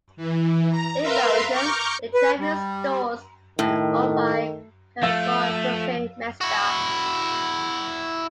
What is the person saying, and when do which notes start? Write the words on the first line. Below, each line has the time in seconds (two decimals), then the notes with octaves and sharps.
In Belgium, the Champion stores are owned by Carrefour and Groupe Mestdagh.
0.17 E3
0.71 A#5
1.01 A#4 B4 E5 F5 A#5 C6
1.50 A#5 C#6 D6 F6 G6
2.14 B4
2.39 G3
3.59 A2 D#3
5.03 F3 A3 F5 E6 A6
6.41 E4 F#4